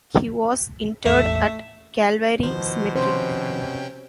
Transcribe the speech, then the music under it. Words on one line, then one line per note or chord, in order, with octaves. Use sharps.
He was interred at Calvary Cemetery.
E1 A1 E2 A3 E5
B2 D#3 F3 C5
C3 C#4 C5 G5